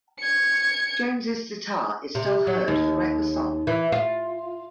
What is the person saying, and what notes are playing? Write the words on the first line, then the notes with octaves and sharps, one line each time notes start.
Jones' sitar is still heard throughout the song.
G#6 C#7
C3
F#3
D#2
E3
F4